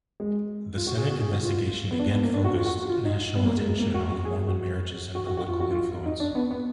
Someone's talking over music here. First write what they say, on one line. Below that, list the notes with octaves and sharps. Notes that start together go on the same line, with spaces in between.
The Senate investigation again focused national attention on Mormon marriages and political influence.
G#3
F4
F#4
G#4
F#4
G#4
F#4
F4
B3
D4
B3
A#3
D4
F#4
F4
F#4
F4
D#4
B3
A#3
G#3
G#3
A#3
F#4
F#4
G#4
F#4
F#4
F#4
F#4
F4
F#4
F4
D#4
D4
B3
B3